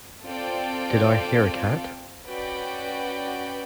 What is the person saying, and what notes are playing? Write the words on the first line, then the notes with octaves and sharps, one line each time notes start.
Did I hear a cat?
C4 F4 A4 D5 G5
C#4 F#4 B4 D5 G5